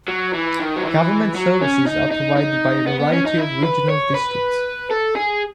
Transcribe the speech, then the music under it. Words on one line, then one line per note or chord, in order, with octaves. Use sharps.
Government services are provided by a variety of regional districts.
F#3
E3
D#3
F#3
E3
F#3
C#4
D#4
D#4
D#4
B3
B3
C#4
D#4
E4
B4
C#5
B4
A4
G#4